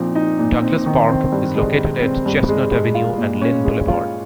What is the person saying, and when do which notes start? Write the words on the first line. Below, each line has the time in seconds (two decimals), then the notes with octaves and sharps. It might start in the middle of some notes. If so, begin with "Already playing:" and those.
Douglas Park is located at Chestnut Avenue and Lynn Boulevard.
Already playing: A#2 F3 C4 D#4
0.15 D#4
0.39 A#2
0.62 C4
0.86 D#3
1.09 C4
1.32 G2
1.55 G#3
1.78 D#3
2.02 C4
2.26 G2
2.48 G#3
2.72 G#3
2.95 F4
3.18 A#2
3.41 C#4
3.64 G#3
3.88 F4